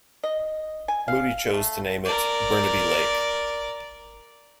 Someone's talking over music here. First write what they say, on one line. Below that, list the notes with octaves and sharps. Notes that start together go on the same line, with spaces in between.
Moody chose to name it Burnaby Lake.
D#5
G#5
F5
A3
A#4 D5